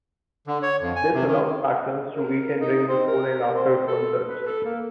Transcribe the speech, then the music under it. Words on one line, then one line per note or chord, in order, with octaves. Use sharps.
This allowed patrons to eat and drink before and after concerts.
D3
C#5
F2
G#5
C3
D#3
A#4
D#4
C4
A#4
C4
A4
B4
A4
A#3